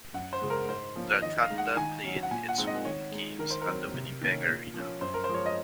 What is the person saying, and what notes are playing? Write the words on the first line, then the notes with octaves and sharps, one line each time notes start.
The Thunder played its home games at the Winnipeg Arena.
F#2 F#5
C5
C#3 G#3
A#4
G#2 C5
F3 A#3 C#4
D#3 D#5
F5
G#3 D#4
F#5
D#3 G#5
F#3 C#4
F#5
A#2 G#5
F#5
G#3 C4 D#4
D#5
D#3 C#5
G#3 D#4
D#3 A#4
C5
A#4
F#3 C4
C3
D#3 A#3 C#4
A#2
F3 A#3 C#4
F#2 C5
A#4
C5
F3 G#3 C#5
D#5